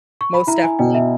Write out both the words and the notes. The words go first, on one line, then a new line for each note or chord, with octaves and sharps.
Most definitely.
C#6
B5
E4 A#5
G#5
B2 G5
E5